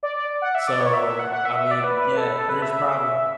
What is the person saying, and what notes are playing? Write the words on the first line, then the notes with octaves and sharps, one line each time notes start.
So, I mean, yeah, there's probably
D5
D5
F#5
E5
D5
C#5
E5
E5
F#5
F#5
E5
E5
D5
B4
B4
A4
A4
B4
E5